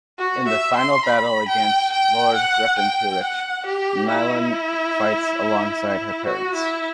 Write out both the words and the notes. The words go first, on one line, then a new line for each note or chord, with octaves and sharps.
In the final battle against Lord Geperunitch, Mylene fights alongside her parents.
F#4
E5
C6
B5
G5
G5
F#5
G5
F#5
G4
E4
F#4
E4